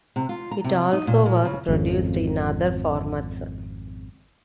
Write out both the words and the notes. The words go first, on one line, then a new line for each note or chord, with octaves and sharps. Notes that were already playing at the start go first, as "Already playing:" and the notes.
It also was produced in other formats.
C3
F4
A#5
C3
D#4
A#2
A#2
C#3
G#1 F2 C#3